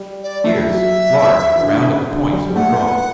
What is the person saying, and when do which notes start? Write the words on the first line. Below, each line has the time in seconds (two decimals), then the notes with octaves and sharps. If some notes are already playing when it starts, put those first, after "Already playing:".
EARS--Large, round at the points or drop.
Already playing: G3
0.23 D5
0.44 A3 E5
0.57 G3
0.69 F#3
1.56 E3
1.62 D3
1.86 C#3
2.09 D3
2.33 G3
2.50 G3
2.56 A3 F#5
2.69 A3
2.79 B3